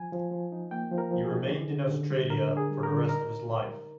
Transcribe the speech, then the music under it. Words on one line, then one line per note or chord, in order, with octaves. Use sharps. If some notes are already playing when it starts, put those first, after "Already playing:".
He remained in Australia for the rest of his life.
Already playing: F3 G#5
F3
F3
D#4
A#3 G5
F3
A#4
F3
G#4
D#4
D3
D3
D3
G3
D3 A#4
D4
G#4
G3
A#4
D3
D#4 A#4